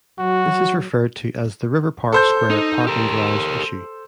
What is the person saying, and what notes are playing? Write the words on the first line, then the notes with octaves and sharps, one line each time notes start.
This is referred to as the "River Park Square Parking Garage" issue.
F#3 F#4
A4 C5 G6
D#4
G4 A#4